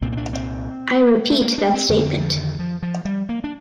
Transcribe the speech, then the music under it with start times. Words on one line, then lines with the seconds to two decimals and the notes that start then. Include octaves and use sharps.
I repeat that statement.
0.01 C2 A#2 C4
0.12 C4
0.17 D4
0.33 C4
1.31 A3
1.42 A#3
1.58 D4
1.74 C4
1.89 F2 D3
1.99 A#3
2.05 C4
2.20 F3
2.36 D#3
2.59 F3
2.83 F3
3.05 G3
3.29 A#3
3.44 D4